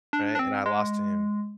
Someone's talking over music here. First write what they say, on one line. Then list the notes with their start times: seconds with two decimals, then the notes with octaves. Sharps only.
Right? And I lost to him.
0.13 D4
0.35 D4
0.39 C4
0.66 G#3